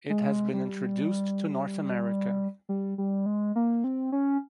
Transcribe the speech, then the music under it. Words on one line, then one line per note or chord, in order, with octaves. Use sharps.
It has been introduced to North America.
G#3
G3
G3
G3
G#3
A#3
C4
C#4